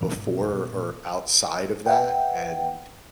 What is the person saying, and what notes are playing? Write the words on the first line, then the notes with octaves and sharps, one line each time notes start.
before or outside of that, and
E3
G1
B2
F1
B2
A#2
B4 E5 F#5 G5